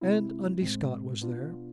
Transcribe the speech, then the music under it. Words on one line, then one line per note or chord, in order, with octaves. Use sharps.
And Undy Scott was there.
C3 G#3 C4 E4
A2 G#3 C4
B2 B3 D4 F4